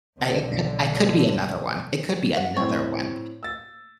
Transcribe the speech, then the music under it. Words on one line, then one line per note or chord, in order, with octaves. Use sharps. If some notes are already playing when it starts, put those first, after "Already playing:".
I I cou I could be another one It could be another one.
B1 D3
F#5
A2 C4 C#5
E6 A6